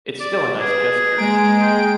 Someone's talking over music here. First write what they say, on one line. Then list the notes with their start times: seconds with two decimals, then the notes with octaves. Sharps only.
It's still a nice gesture.
0.20 D5
0.60 G#4 B4
1.18 G#3 A#3 G#5 D7
1.62 G5